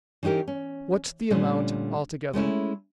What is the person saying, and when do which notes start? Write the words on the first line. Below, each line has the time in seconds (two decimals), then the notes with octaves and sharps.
'What's the amount altogether?'
0.23 E3 C#4 D#4 G4 A#4
0.48 C#4
1.30 A#2 D3 G3 A3 C#4
2.33 G#3 A3 C#4 E4